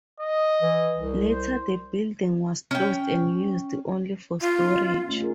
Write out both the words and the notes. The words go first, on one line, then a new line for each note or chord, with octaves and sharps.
Later the building was closed and used only for storage.
D#5
E3
C2
C5
C#4 G5
F4
B3 C#4 D#4
A3 C#4 F4
F4 G#4 A#4